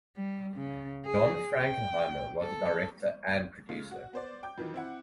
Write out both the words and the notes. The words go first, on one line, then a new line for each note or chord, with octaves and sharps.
John Frankenheimer was the director and producer.
G3
C#3
G#4
G5
A4
C#3 G#3 A3 F4
F#4
B3 C5 D5
G5 D6 G6
F2 D#3 E3 F#3
C4 E4 F#5